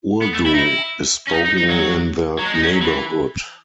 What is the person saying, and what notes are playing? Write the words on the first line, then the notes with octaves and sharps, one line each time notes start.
Urdu is spoken in the neighborhood.
B3
A3
E4
D#4
E4
C#4
D#4
D#4
D#4
F#3
F#3
G#3
D#4
C#4
F#3
E3